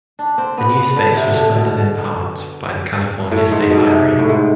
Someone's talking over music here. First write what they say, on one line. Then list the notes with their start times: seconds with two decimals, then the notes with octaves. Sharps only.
The new space was funded in part by the California State Library.
0.19 D4
0.38 C4
0.58 B3
0.77 B3
0.96 D3
1.17 C3
1.36 D3
1.55 B2
3.31 A2
3.51 G#2
3.70 B2
3.90 C3
4.19 A2
4.29 G#2